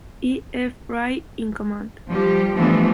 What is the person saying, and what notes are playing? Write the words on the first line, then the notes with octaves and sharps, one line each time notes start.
E. F. Rye in command.
F3 G3 G4
E3 F3 G3 A3 B3 D4